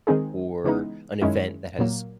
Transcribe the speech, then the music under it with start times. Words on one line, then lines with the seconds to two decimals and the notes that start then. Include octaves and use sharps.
or an event that has
0.07 D#3 G#3 C4 D#4 G#4
0.64 C#3 E3 G#3 B3 D#4
1.21 F#2 D#3 G#3 C#4 E4
1.79 A#2 F#3 A#3